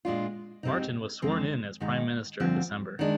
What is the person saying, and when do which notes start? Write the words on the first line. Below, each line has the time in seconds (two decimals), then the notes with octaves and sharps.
Martin was sworn in as Prime Minister in December.
0.05 A#2 G#3 D4 F4
0.63 G#2 G3 C4 D#4
1.22 F2 D#3 G#3 C4
1.80 G#2 D#3 G#3 D#4
2.40 D2 D3 F3 C4
2.99 D#3 G#3 D4